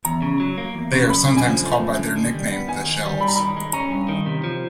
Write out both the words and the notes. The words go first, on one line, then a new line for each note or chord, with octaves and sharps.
They are sometimes called by the nickname The Shells.
E2 A#5
C#3
F#3
A#3
E2
C#3
F#2 B5
D3
G#5
F3
A3
F#2
D3
D#3
G3
B3
D#3 G#5
D#3
G3
G2 B5
A#5
D#3 B5
G#3
C#4 A#5
G2
D#3
C3
F3